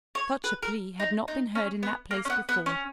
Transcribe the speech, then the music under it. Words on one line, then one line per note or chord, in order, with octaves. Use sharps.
Such a plea had not been heard in that place before.
C#5
B4
A#4
D#4
D#4
C#4
B3
A#3
C#4
B3
B3
C#4